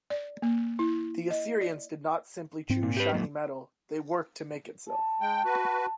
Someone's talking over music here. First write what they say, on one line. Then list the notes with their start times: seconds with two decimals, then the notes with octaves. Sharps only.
The Assyrians did not simply choose shiny metal; they worked to make it so.
0.10 D5
0.42 A#3
0.79 E4
1.30 D#5
1.61 D5
2.69 G#2 C4
2.83 A#2
2.97 G4 B4
3.12 F#2 A#2
4.87 A5
5.21 G#3 G5
5.45 F#4 B4